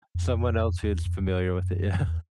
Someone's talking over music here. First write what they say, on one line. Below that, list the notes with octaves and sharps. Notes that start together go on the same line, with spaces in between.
Someone else who's familiar with it. yeah.
F2
E2
F2
F2
F#2
E2